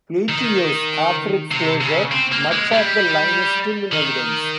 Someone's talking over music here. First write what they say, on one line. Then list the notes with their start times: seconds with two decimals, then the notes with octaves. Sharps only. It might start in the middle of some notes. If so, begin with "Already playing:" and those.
Eighty years after its closure, much of the line is still in evidence.
0.29 D#3
1.51 C3
1.81 C#3
2.12 C4
2.32 A#3
2.52 G#3
2.72 G3
3.93 D#3